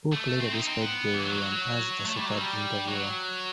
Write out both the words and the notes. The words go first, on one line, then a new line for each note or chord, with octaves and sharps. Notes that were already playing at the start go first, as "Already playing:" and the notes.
Hook later described Gerry Ryan as "a superb interviewer".
A3
C4
D#4
C4
B3
E3
F#3
A3
G3
F#3
G3
F#3